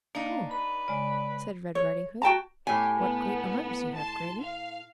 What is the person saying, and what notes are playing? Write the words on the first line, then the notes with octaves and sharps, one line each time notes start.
"Oh!" said Red Riding-Hood, "what great arms you have, Grannie!"
A#3 D4 D#4 F5
B4 B5
C#3 G#3 D5
C#5
F#4 G5 A5 A#5
A2 G4 G#5
B3
A5 C6
F5